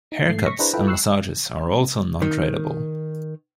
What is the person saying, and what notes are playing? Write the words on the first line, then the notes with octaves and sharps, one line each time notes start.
Haircuts and massages are also non-tradable.
D#4
G#2 A3 C7
C#6 A#6 B6
D4 E4 G#4 B4 C5 A#5
E4 F4 A4 B4 G5
C#6 E6 F#6 C7
D#3